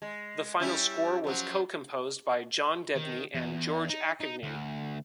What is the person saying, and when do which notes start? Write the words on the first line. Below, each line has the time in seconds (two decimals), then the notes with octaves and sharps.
The final score was co-composed by John Debney and George Acogny.
0.02 G#3
0.60 G3 C#4 E4
1.24 F3 F#3
2.96 D#3
3.35 E2
3.89 D#4
4.20 D#4
4.43 D2